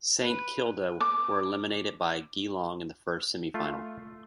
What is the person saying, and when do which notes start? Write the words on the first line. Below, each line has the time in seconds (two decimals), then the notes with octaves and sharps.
Saint Kilda were eliminated by Geelong in the first semi-final.
0.19 B4
1.00 D6
3.54 A3 F4